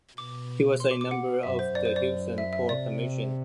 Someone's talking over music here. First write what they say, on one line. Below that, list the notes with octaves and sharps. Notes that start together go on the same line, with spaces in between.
He was a member of the Houston Port Commission.
B2 D6
C6
D6
D6
F#5
F#2 E5
C5
F#2 D5
C5
D5
E5
E5
C3 D5